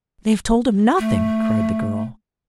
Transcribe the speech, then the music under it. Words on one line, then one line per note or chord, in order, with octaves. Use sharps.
"They have told him nothing!" cried the girl.
A3